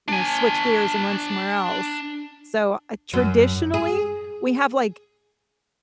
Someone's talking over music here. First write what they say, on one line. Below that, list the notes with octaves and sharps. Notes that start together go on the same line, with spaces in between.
you know, switch gears and run somewhere else. So, uh, traditionally, we have, like,
D4 G#5
F#2
G#4